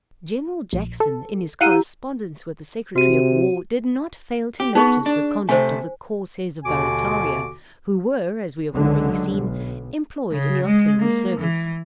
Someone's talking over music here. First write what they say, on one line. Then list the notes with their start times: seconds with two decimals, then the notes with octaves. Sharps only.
General Jackson, in his correspondence with the secretary of war did not fail to notice the conduct of the "Corsairs of Barrataria," who were, as we have already seen, employed in the artillery service.
0.73 A#1
1.00 A4
1.61 E4 G4 F5 F#5 A#5 D#7
2.96 C3 F#4 D#7
4.60 G4
4.75 B3 D#4 G#4 C#6
5.06 D4
5.49 C3 A3 C5 G#5
6.64 D#2 B2 D3 F#4 G#5 D6
8.72 C#2 D3 F#3 G#3
9.38 B1
10.32 C#3
10.65 G#3
11.00 A#3
11.40 E3